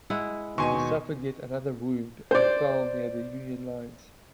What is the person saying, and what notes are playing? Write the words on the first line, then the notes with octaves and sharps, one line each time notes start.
He suffered yet another wound, and fell near the Union lines.
G#3 E4 F#5
D#2 B2 D#4 G#5 C6 C#6 D#7
C5 D5